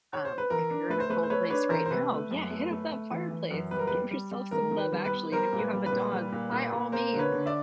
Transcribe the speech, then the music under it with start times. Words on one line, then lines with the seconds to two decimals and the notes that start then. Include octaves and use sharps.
um, if you're in a cold place right now, yeah, hit up that fireplace, give yourself some Love Actually, and if you have a dog, by all means,
0.13 C#5
0.25 C5
0.38 B4
0.50 E3 A#4
0.71 D4
0.90 A3 B4
1.00 C5
1.10 A3 B4
1.23 C5
1.30 A3 B4 C#5
1.50 D4 B4 C#5
1.70 E3 A#4 C5
1.86 C5
1.91 C3 B4
2.10 A3
2.31 F#2
2.50 A3
2.71 A3
2.92 A3
3.11 E3
3.31 E3
3.51 F#2
3.71 G3 B4
3.79 A#4
3.87 G3 B4
4.11 G3
4.31 G3
4.51 D#3 A#4
4.71 D#3
4.78 B4
4.93 G3
5.05 B4
5.12 B3
5.32 G3 A#4 C5
5.53 A#2
5.59 B4
5.73 G3
5.86 B4
5.92 A#2
6.13 G3
6.32 A#2
6.52 A#2
6.72 A#2
6.92 A#3 A#4 C5
7.13 D3
7.19 B4 C#5
7.32 D3
7.46 D5 E5